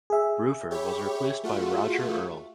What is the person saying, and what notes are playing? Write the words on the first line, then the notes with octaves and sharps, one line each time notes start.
Bruford was replaced by Roger Earl.
G#4 E5
G4 C#5 B5
A3 F4 F#4